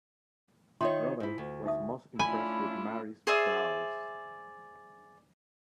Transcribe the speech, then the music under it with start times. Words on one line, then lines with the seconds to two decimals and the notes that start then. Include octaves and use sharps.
Robert was most impressed with Mary's prowess.
0.81 D#3 D#4 F4 C#5 E5 C6
1.20 G#2 E4
1.38 D2
1.65 D#4 E5 D#6
2.19 A3 C#4 D4 E4 F4 G#5 B5
3.27 G#4 C5 D5 E5